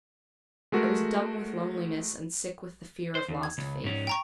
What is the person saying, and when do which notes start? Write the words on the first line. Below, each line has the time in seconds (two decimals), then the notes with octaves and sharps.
I was dumb with loneliness and sick with the fear of lost faith.
0.72 G#3 A3 F#4 A#4
3.15 C5
3.28 D#2
3.43 G#6
3.58 C#2
3.84 G#2 C#4
4.07 G5 A#5 C#6